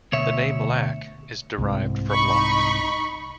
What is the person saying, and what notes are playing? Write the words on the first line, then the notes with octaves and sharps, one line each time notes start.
The name 'Lack' is derived from 'Lock'.
D2 B2 C#5 E5
C2 G#2
D#4 B5 C#6